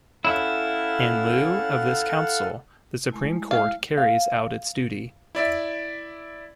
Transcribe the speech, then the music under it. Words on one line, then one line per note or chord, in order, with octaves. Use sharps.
In lieu of this Council, the Supreme Court carries out its duty.
C#4 E4 A4 F5 F#5
G#3 A3 E4
F5
F5
E4 D5 E5